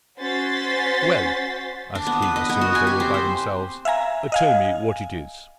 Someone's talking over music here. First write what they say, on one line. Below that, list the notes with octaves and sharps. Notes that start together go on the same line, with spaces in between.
"Well," asked he, as soon as they were by themselves, "tell me what it is?"
C#4 F#4 C5 C6 A6 B6
D4
B3
B4
D#5
B3
F#4
G#5
G4
C4
C5
E5 F5 G#5 A#5
D#5 F5 G#5